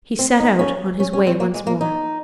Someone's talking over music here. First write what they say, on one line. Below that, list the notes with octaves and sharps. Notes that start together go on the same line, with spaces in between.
He set out on his way once more.
C4
D#4
C#4
C#4
C#4
C4
A#3
G#3
A#3
D#4